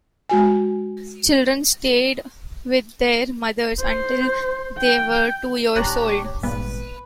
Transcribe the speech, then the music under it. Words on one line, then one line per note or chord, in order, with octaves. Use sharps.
Children stayed with their mothers until they were two years old.
G#3 F#4 G#5
C5
G5
D#1 D4 G4 C#5 A5 A#5 F#6
G#1 G2 A#2 B3 B4